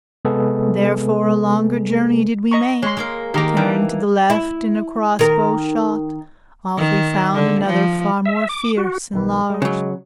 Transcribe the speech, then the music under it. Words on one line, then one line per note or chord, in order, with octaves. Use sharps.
Therefore a longer journey did we make, Turned to the left, and a crossbow-shot oft We found another far more fierce and large.
C3 G#3 B3 G#4 A4 B4
D#5 A#5 C#6
G#3 C#5 D#5 C6
G#3 A#3 A#4
D#3 A#3 G4 A#5 D6
E3 D4 A#4 G5
E4
D#3 A#4
D#3
D3
F3
E5
D6
F#4
B1 D#3 B4
G#3 D#5
C#3 F#3